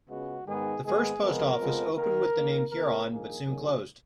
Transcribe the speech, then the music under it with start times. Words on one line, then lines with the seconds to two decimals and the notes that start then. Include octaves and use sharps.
The first post office opened with the name Huron, but soon closed.
0.08 C#2 C#3 G#3 B3 F#4
0.45 G#2 D#3 G#3 B3 G#4
0.83 G#2 D#3 G#3 B3 G#4
1.21 F2 F3 G#3 B3 A#4
1.58 F2 F3 G#3 B3
1.96 D#2 D#3 A#3 A#4
2.34 D#2 D#3 A#3
2.71 C#2 C#3 G#3 B3 A#4
3.08 A#1 G#2 D#3 A#3 G#4
3.46 F#2 D#3 F#3 A#3